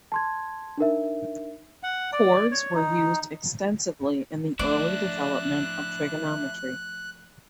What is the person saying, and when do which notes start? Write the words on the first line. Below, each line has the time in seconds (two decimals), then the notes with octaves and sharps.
Chords were used extensively in the early development of trigonometry.
0.12 A5 C6 G#6
0.78 D4 D#4 A#4 E5
1.83 F#5
2.12 D5
2.51 C#5
2.75 D#4
4.59 F3 A3 D4 E4 D5 F#6